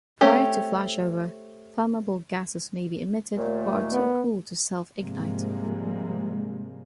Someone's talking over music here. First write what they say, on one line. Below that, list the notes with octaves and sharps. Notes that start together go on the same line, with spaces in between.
Prior to flashover, flammable gases may be emitted but are too cool to self-ignite.
A3 C4 C#4 G4
D#2 A#2 A3
B3
G#2 C3 F3 G3 G#3 A#3